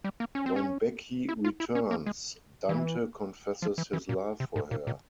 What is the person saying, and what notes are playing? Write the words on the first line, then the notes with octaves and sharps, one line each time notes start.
When Becky returns, Dante confesses his love for her.
G3
A#3
C#4
C4
C#4
E4
F4
E4
C#4
A#3
G#3
E3
F3
E3
E3
A#2
C3
G#2
A#2
A#2